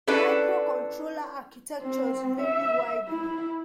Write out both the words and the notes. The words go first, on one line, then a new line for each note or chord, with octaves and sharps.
Microcontroller architectures vary widely.
C#4 D4 E4 A4 B4 D5
C4
E5
E4